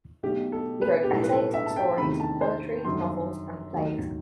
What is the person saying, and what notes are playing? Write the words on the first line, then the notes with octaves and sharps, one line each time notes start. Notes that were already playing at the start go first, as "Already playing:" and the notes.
He wrote essays, stories, poetry, novels and plays.
B1 B2 A3 G4
A4
B4
G4
B1 A2 G3 A4
B4
A4
E5
A5
G5
E2 C3 D#3 A3 B5
A5
C5
G1 F#2 D#3 F#3 C6
D#2 D#3 F#3 A3